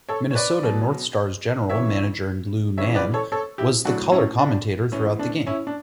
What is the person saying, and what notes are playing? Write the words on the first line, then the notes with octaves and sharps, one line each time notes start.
Minnesota North Stars general manager Lou Nanne was the color commentator throughout the game.
A4 C#5
C#5
B4 D5
B2 F#3
C#3 E3 C#5 E5
C#3 E3 C#5 E5
B4 D5
A4 C#5
A4 C#5
E4 G4
A2 F#3 D4 F#4
C#4 E4
D4
A2 E3 C#4
D4
C#4 E4
D4